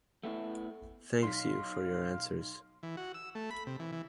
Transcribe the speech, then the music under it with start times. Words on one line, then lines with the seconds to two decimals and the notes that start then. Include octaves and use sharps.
Thanks you for your answers.
0.23 A3 B3 E4
1.23 B1 D#4 F5 C6 B6
2.83 E3
2.97 F#4
3.14 E6
3.35 A3
3.51 B5
3.67 C3
3.79 E3
3.92 E3